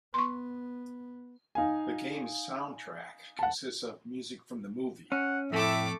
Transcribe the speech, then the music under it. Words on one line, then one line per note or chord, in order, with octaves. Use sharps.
The game's soundtrack consists of music from the movie.
B3 C6 C#6
D#4 F5 G#5
F#5 A5
C#4 F#5
F2 A2 A3 E5 D6